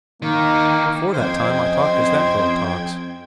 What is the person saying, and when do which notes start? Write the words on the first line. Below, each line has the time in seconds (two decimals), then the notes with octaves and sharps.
Before that time I talked as that girl talks.
0.22 D#3 A#3 D#4
1.14 F2 C#4 C5 D#5 G5 G#6